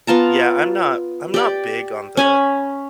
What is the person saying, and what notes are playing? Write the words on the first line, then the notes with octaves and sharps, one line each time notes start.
yeah, I'm not I'm not big on the,
B3 F4 A5 A#5
G4 D5
C#4 G#5 B5